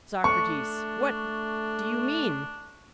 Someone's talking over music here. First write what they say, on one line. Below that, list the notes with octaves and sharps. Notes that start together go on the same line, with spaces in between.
SOCRATES: What do you mean?
A3 D4 C#6